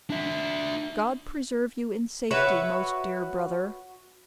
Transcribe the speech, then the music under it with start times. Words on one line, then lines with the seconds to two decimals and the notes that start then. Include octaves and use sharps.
God preserve you in safety, most dear brother!
0.10 D4 E5
2.31 F#4 B4 C#5 E5